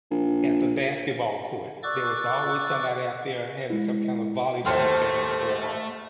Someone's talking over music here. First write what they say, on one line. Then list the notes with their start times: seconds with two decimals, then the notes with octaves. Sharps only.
at the basketball court; there was always somebody out there having some kind of volleyball game or
0.11 A#1
1.83 D5 C#6 D6 E6 F#6
3.70 G#3 E4
4.66 D#2 A3 C5 G5 C6 F6